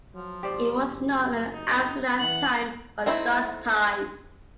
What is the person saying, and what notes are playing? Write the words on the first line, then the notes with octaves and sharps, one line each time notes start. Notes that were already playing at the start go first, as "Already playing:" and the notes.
It was known as Amsterdam Time or Dutch Time.
F3 F#3
G#1 G4 C5 D5
F#1
D#4
E3 F#5 F#7
A3 C4 D#4 E4